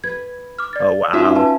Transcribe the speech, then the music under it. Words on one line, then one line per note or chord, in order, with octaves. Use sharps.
Oh, wow.
B4 G#6
D6 F6
D5 A6
C#4 D#4 F4 F#4 E5
B4 A5